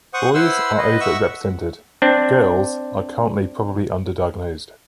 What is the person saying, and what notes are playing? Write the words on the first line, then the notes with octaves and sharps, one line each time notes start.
Boys are overrepresented; girls are currently probably underdiagnosed.
C5 F#5 C#6 D#6
E4 B4 C5 F#5 C6 E6
B4 D#5
E5 F#5 C#6 E6
C4 D4